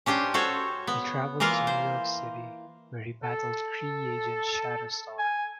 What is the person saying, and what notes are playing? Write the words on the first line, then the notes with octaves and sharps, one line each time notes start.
He traveled to New York City, where he battled Kree agent Shatterstar.
C#4 D4 G4 C5
F#4 A4 C5 C#5
B3
E3 A#3 F4 A#4 F5
C5
A4
G#5